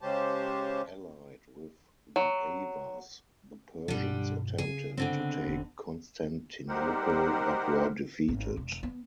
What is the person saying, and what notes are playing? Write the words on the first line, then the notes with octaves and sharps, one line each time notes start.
Allied with the Avars, the Persians attempted to take Constantinople, but were defeated.
C#3 G#3 C#4 G4 C5 A5
F#3
G2 B2 D3 F#3 G3
C#3 G#4
B2 D3 C4
E1
G3 D#4 G4 A#4 C5 F#5
G#1
E1
B3